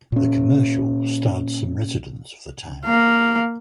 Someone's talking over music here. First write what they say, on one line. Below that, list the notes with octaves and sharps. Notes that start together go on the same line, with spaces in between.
The commercial starred some residents of the town.
A#2 C#4
A#3 F5